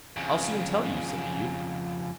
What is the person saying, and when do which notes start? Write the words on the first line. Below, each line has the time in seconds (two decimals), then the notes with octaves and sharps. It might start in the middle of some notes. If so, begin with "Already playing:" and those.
I'll soon tell you', said the youth.
0.16 F2 C#3